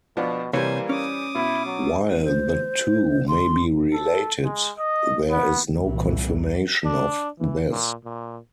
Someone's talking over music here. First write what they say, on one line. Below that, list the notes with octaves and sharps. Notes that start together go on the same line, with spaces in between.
While the two may be related, there is no confirmation of this.
B2 F3 B3 D4
C3 E3 G3 A#3 C5 C#5 F5 G#5
C#4 D6 D#6
B2 E4
F#3
C5
C6
A4
G#3
D#5
B3
C2 A#2 E3
D4
E3
A#2
A#2